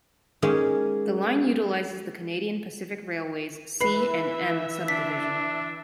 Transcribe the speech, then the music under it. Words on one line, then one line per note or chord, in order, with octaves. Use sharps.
The line utilizes the Canadian Pacific Railway's C and M Subdivision.
D#3 G#3 A#3 C#4 C#5
E3 B4 E5 B5 C7
D4 B6